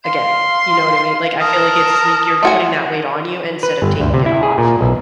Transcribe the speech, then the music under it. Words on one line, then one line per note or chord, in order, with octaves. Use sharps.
again; you know what I mean? Like, I feel like it's like, you're putting that weight on you instead of taking it off,
F5 C6
A#4 A5 D#6
A3 F#4 G#5 C6
B4
G1
D2
C3
E4
G#4
A#2
B1